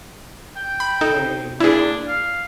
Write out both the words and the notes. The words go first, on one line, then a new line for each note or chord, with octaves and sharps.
"Hey," you know,
G5
B5
D#4 A4
D4 E4 G#4
F5